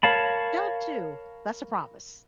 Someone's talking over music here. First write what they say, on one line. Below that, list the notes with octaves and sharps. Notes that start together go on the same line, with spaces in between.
Y'all too, that's a promise.
A#4 C#5 F5 A5 B5